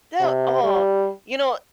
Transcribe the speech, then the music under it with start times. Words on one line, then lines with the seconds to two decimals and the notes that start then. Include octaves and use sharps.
the oh, you know,
0.20 C3
0.63 G3